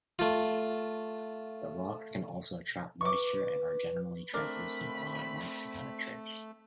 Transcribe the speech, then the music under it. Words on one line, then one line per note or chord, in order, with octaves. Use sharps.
The rocks can also trap moisture and are generally translucent allowing light to penetrate.
A3 F4
B4 C#6 D6
A3 C4 D4 A#4 D5 B5